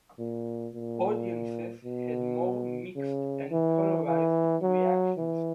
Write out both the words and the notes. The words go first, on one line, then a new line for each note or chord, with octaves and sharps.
Audiences had more mixed and polarised reactions.
A#2
A#2
B2
C#3
E3
E3
F#3
E3